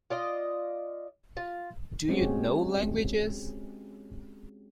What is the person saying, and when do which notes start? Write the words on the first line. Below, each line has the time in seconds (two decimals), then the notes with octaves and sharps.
Do you know languages?
0.10 F4 D5 D#5
1.37 F4
2.09 G#3 C4 C#4 F#4 G4